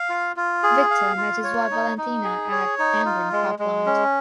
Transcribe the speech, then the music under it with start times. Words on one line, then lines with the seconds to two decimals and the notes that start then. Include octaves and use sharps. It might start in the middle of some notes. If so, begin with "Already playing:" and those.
Viktor met his wife Valentina at Angren Power Plant.
Already playing: F5
0.09 F4
0.37 F4
0.63 G#4
0.90 F5
1.17 F4
1.44 C#5
1.71 D#4
1.98 D#4
2.24 G#4
2.52 C#5
2.79 D#4
3.06 F4
3.32 G#3
3.59 G#3
3.86 C#4